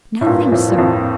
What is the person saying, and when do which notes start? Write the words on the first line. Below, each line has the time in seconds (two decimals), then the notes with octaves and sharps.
"Nothing, sir."
0.21 A2
0.26 G2 A#2
0.47 A#2
0.52 F2 A2
0.69 A#2
0.78 F2 A2